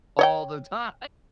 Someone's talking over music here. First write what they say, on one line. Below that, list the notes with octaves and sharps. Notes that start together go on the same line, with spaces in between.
all the time.
C#5 D#5 G5